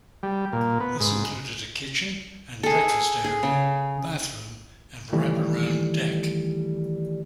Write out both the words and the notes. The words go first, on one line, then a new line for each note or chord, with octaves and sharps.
This included a kitchen and breakfast area, bathroom, and wraparound deck.
G3
A#2
B3
G#2
G#4 A4
G#4
C#3
D#3 E3 G3 A3